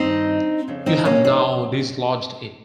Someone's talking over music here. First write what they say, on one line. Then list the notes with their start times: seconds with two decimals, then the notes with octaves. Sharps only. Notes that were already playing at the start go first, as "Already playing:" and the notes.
You have now dislodged it.
Already playing: G2 D#3 C4 D#4
0.68 F2 C#3
0.86 C4 D#4
1.05 A#3 C#4
1.25 C4 D#4